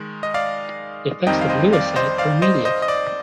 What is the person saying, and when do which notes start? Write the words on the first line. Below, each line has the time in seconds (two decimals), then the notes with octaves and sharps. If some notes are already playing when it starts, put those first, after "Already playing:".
The effects of Lewisite are immediate.
Already playing: D#3 G#3
0.23 D#5
0.34 D5 F5
1.27 F2 D#3 G3 C4 D#4 D#5 G5
1.41 F5
1.49 C5 D#5
1.73 D5 F5
1.96 C5 D#5
2.18 D5 F5
2.42 C5 D#5
2.65 C5 D#5
2.82 D#5
2.88 D5